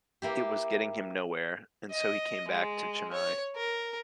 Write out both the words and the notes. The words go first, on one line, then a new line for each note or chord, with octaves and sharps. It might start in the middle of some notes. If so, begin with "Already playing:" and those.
It was getting him nowhere and so he came back to Chennai.
A#3 E4 G4
D#5
G#3
C#5
A#4